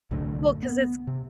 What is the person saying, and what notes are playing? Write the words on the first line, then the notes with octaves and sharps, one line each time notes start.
Well, 'cause it's
C2 F#2 A2 D3
B3
C3